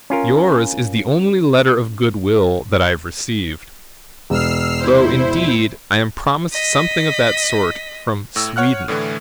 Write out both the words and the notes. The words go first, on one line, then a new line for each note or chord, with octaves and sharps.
Your's is the only letter of goodwill that I have received; though, indeed, I am promised something of that sort from Sweden.
C#4 F4 A#4
E1 E6 F6 C7
E4 C5
D#5 B6
A2 E6
C#5 F#5 F6 F#6
A2 D3 E3 A3